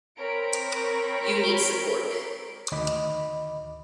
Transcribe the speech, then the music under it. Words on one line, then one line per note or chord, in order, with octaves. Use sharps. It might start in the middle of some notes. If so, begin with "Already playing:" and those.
You need support.
C4 A#4 C#5 B5 D7
D2 D#3 D#5 B5 D6